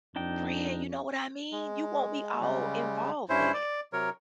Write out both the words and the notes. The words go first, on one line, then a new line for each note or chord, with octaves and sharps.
friend, you know what I mean?" You want me all involved in it.
F2 D4 D#4 G5
G#3
C#3 G3 G#3
G2 C#4 E4 C5
D5
C3 F#3 A#4 C#5